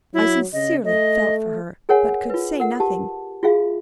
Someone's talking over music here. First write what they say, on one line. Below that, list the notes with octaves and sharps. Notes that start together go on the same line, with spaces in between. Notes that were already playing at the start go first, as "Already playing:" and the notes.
I sincerely felt for her; but could say nothing.
F#3 E4
C#3 D#5
A3 D#5
G#4 A#4 C#5 F#5 G#5
F4 B4
A#4 F#5
G4 A5
F4 F#4 G#4 E5 F5